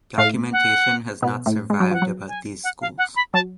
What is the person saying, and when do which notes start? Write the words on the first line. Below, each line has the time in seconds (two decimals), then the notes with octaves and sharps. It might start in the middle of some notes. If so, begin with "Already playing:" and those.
Documentation has not survived about these schools.
0.17 A2 A3 F5
0.53 F#5
1.22 B2 B3
1.46 A2 A3
1.70 G#3
1.80 F#3
1.91 F3 F#5
2.02 F#3
2.29 G#5
2.64 F#5
2.81 F5
2.98 F#5
3.16 B5
3.34 F#3 A5